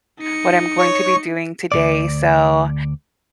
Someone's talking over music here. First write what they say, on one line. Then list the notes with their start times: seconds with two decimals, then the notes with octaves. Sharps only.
what I'm going to be doing today, so,
0.20 D#4 C#7
0.78 C#5 C#6
1.72 D2 B2 D5